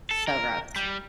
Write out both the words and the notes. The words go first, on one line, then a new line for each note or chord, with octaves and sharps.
so gross.
A4
A#4
G3